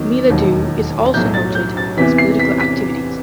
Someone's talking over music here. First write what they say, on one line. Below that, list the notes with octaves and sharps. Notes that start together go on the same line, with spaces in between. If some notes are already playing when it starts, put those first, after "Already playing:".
Miladhoo is also noted for its political activities.
Already playing: E2 D#3 F#3
E1 D#2 D#3 F#3
B1 A2 F#3 G6
A6
G6
A6
E2 C3 E3 B6
C7
B6
B6